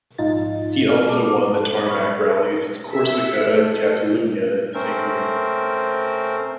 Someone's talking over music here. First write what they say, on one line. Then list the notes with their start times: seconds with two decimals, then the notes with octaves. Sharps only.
He also won the tarmac rallies of Corsica and Catalunya in the same year.
0.18 A#1 G#2 D#4 F4 A6
0.89 F6
1.08 G#3 B3 A4 D6
1.54 A4
1.86 B5 C#6 F6
2.95 E5
3.49 A3
4.74 A3 C4 C#4 A#4 C5